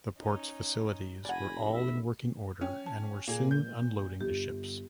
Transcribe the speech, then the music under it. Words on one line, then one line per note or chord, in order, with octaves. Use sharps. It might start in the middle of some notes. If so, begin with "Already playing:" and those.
The port's facilities were all in working order and were soon unloading the ships.
C#4 D#4
F1 D5 F#5 G#5 B5 A#6
E5
C#4 G5
A5
A#2 A#3 G#4
G6
G1 G4